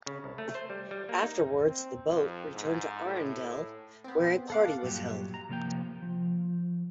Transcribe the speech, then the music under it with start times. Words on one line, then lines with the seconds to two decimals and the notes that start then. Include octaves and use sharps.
Afterwards, the boat returned to Arendelle where a party was held.
0.06 C#3
0.24 C2
0.38 A3
0.55 C5
0.70 G3
0.91 G3
1.09 A#3
1.23 D#4
1.65 C4
2.07 F2
2.55 G#2
3.05 A2
4.04 B3 C4
4.50 A4 F5 F#5 D6
4.83 G2 A#2 F#3 G4
5.34 A#5
5.49 C3 F3 A#3 C5 G5
6.02 F3